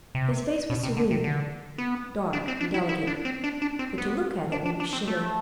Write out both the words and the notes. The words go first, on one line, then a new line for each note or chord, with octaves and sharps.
His face was serene, dark, and delicate, but to look at it made me shiver.
C3
B2
C3
D3
C3
D3
B3
D4
C4
D4
E4
E4
D4
C4
D4
D4
C4
B3
D4
D4
D4
C4
A3